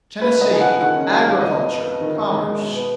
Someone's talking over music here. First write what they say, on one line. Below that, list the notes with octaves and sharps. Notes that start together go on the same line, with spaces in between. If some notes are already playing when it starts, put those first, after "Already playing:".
Tennessee--Agriculture, Commerce.
F#2 B4
F#1
D#5
F3 G#5
F#5
F#1
D#3 F#5
C#4
F#3 F5
G#2
F3 D#5
F2
B3
F2
D#3
F#2
G#3
F#2
B2
B3